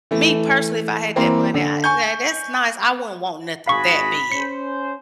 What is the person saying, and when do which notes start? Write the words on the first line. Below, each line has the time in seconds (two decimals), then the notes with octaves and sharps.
me, personally, if I had that money, I yeah that's nice. I wouldn't want nothing that big.
0.11 E3 A3
1.16 E3 A#3 C4
1.54 D3
1.84 G#5 C#6 G6
3.67 G#1 F#4 G#4 F5 B5 C#6
4.32 C#4 C5 C#7